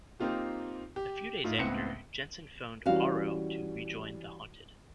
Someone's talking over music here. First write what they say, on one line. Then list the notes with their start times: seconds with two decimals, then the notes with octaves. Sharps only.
A few days after, Jensen phoned Aro to rejoin The Haunted.
0.20 A#3 C4 D#4 F4 G4
0.96 G4
1.44 A2 D#4 F4
1.58 C#2 A2 B3 C4 C#7
2.86 E3 G3 C#4 F#4 F5